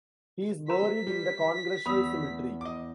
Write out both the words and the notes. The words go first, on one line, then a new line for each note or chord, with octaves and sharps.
He is buried in the Congressional Cemetery.
A#4 C5 A#5 B6
G3
E2 B5 D#6 E6
D#5 D6